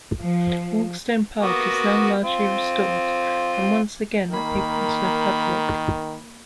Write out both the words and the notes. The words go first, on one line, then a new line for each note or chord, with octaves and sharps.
Hawkstone Park is now largely restored, and once again open to the public.
F3
A#3 B3 F#4
C4 F4
D#3 A#3 B5